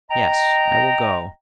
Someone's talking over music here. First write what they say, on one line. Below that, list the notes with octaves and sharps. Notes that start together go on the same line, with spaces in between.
Yes, I will go.
D#5 G5 A#5